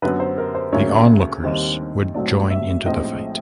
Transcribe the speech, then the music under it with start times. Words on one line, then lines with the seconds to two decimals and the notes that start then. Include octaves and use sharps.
The onlookers would join into the fight.
0.02 F#2 D3 F#3 B3 B4
0.20 C5
0.38 A#4
0.55 C5
0.72 D2 C#3 F#3 A#3 C#4 C#5
1.44 D#2 D#3 G3 C4
2.14 B1 A2 F#3 A3 C4 D5
2.50 E5
2.86 A#1 A2 F3 G#3 C4 D#5